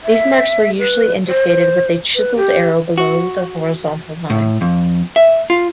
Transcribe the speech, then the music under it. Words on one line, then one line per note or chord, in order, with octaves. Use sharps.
These marks were usually indicated with a chiseled arrow below the horizontal line.
E5
B4
C5
B4
G4
F#4
A2
F2
E5
F4